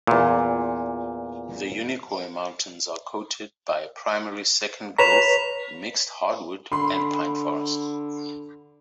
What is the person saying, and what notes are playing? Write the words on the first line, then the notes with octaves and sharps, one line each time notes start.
The Unicoi Mountains are coated by a primarily second-growth mixed hardwood and pine forest.
E2 A#2
B4 C#5 A#5 B6 E7 F7
D3 B5 C6